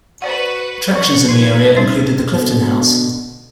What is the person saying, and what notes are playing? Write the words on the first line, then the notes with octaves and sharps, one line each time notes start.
Attractions in the area included the Clifton House.
F#4 B4 C5 D5 F#5
F3 F#5
D#4 B4 G#6
G3 D#4 C5
B2 D3